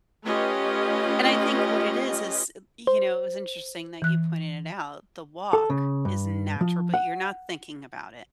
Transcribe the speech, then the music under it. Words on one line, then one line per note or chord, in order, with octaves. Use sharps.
And I think what it is is, y you know, it was interesting that you pointed it out. The walk is natural, but you're not thinking about it.
A3 C#4 F4 G4 B4 D#5
C5
E3 F#6
A4
C#3
G2
F3
F#5